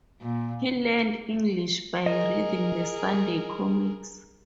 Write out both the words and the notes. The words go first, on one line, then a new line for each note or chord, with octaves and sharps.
He learned English by reading the Sunday comics.
A#2
G#4 A#4 D#5